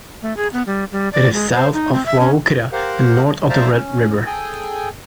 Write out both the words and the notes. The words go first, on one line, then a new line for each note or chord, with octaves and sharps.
It is south of Waurika and north of the Red River.
A3
G#4
B3
G3
G3
D5
G#3
C5
D#4
C4
E5
C#4
G4 A#4 C5 F5 F#5
C5 D5 E5 F5 A5 A#5
C#4
G#4 A4 G5 G#5